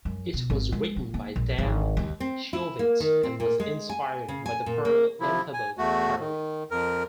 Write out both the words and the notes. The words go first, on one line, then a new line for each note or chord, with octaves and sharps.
It was written by Dan Shiovitz and was inspired by the Perl infobot Purl.
F#2
B2
G#1
G#3
F#3
A#3
A#1
G#1
D#2
C4
E4
A#3
D#3
C4
A#2
G#3
G#5
C#3
G#5
A#2
A#3
C3 F3 E4
G#5
E2 A3 F#4
D#3
F2 A#4